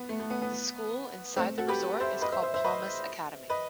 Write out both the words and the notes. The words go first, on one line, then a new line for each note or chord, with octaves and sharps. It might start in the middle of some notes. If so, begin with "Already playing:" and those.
The school inside the resort is called Palmas Academy.
Already playing: B3
A3
A3
B3
B3
A3 C4
F#4 A4
G4 B4
C5 E5
B4 D#5
C5 E5
C5 E5
C5 E5
B4 D#5
B4 D#5